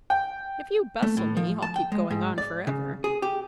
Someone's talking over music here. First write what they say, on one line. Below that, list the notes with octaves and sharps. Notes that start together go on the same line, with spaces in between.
If you bustle me, I'll keep going on for ever.
G5
A3
A2
F3
A5
G5
G#3
G#2
D5
C#3
G#4
G4